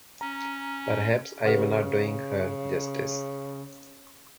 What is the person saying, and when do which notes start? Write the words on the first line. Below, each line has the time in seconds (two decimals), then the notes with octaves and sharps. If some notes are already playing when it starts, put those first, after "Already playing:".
Perhaps I am not doing her justice.
0.21 C#4 A#5
1.45 C#3 G4 B4 F#5